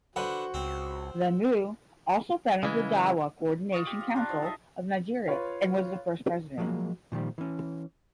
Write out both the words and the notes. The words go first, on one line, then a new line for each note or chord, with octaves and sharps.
Lemu also founded the Dawah Coordination Council Of Nigeria and was the first President.
D3 F#4 B4 C5 F#5
C#2 C4
C#3 E3 G#3
F4 D#5 C#6
G4
F5
D4 A#4 C5
F3 D#4
A4 D#5 E5
F4 B4 C#5 F5
F3 F#3 G#3 A#3
A#2 D#3 F3 G3
E3 C#4